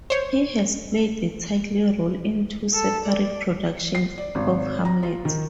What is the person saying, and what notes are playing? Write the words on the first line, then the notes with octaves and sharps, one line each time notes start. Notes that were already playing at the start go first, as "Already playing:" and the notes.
He has played the title role in two separate productions of Hamlet.
C5 C#5
A4
D5
C7
D5
G#1
A#5
F4
D#3